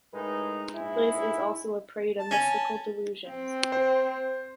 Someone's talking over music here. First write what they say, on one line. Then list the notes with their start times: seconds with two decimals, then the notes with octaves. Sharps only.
Liz is also a prey to mystical delusions.
0.14 A2 G#3 D#4 A#4 B4
0.74 A#1 G#2 G#3 E4
2.19 A5
2.31 C#4
3.27 C4
3.72 C5